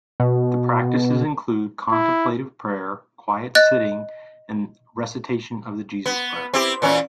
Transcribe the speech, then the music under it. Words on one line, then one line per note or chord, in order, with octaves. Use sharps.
The practices include contemplative prayer, quiet sitting, and recitation of the Jesus Prayer.
B2
E4
D#5 F#6 A6
B3
C4 E4 G4
A#2 E3 C#4